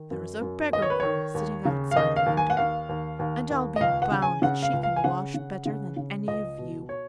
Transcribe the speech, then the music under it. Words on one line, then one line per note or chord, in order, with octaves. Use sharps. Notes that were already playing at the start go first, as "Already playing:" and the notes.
There is a beggar-girl sitting outside the window, and I'll be bound that she can wash better than any of you!
Already playing: D#3
F#2
F#2
D#3 D#5
C#5
B4
D#3 C#5
D#2
C#3
F5
D#2 D#5
F5
D#2
G#5
F#5
D#2 F5
D#2
D#2
D#2
D#5
C#2 F5
F#5
C#3
G#5
C#3 F#5
F5
C#2
F5
G#5
C#3 F#5
C#3
C#3
C#3
C#2 D#5
B2
C#5